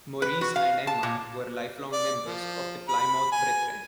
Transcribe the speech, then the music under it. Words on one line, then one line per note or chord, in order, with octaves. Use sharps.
Maurice and Emma were lifelong members of the Plymouth Brethren.
B4
F#4
F5
A5
A#2
D5
F3
B5
G#5